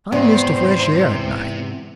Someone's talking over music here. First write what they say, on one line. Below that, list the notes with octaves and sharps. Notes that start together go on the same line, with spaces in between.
I'm used to fresh air at night.
E2 G#2 C3 C5